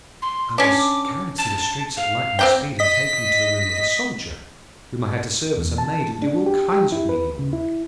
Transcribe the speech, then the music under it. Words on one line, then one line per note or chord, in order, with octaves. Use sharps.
'I was carried through the streets at lightning speed, and taken to the room of a Soldier, whom I had to serve as a maid, and do all kinds of menial work.
C6
C#4 D4 D6
A5
F5
C4 D4 G5
D#5 B6
E2
A5
D4
G4
G4
E4
B4
C#3
E4